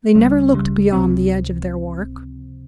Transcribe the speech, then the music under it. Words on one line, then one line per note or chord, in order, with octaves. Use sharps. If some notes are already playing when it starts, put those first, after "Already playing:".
They never looked beyond the edge of their work.
C#2 C#3 G3
C#2 C#3 G3
C#2 C3 F3 C4